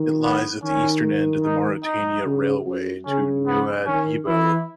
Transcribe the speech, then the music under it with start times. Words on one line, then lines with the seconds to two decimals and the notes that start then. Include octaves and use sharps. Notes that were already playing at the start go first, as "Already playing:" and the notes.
It lies at the eastern end of the Mauritania Railway to Nouadhibou.
Already playing: D#3
0.24 B3
0.64 D#3 C#4
1.44 D#4
1.84 D#4
2.25 C#3
2.67 F#2
3.06 C#3 C#4
3.47 B3
3.87 D#3 C#4
4.27 E3 E4